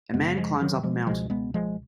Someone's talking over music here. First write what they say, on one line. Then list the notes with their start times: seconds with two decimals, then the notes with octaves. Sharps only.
A man climbs up a mountain.
0.14 F#2 C#3 G#3 B3
0.37 F3 G#3
0.61 D#3 F#3
0.83 F3 G#3
1.07 C#2 B2 F3 G#3
1.30 G#3 B3
1.54 F3 G#3